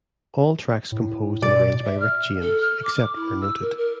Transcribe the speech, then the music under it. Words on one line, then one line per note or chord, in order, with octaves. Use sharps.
All tracks composed and arranged by Rick James, except where noted.
A2
B2 D5
E5
F6
A4
F6
D6
E4
E6
A#4
A#4